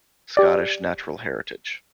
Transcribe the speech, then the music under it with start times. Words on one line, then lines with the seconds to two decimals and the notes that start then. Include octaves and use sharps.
Scottish Natural Heritage.
0.37 G4 D5